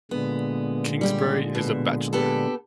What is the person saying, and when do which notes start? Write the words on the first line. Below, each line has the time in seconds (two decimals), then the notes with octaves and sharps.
Kingsbury is a bachelor.
0.11 A#2 D3 G#3 B3
1.01 G3 G4
1.55 B2
2.13 B3 G4 A4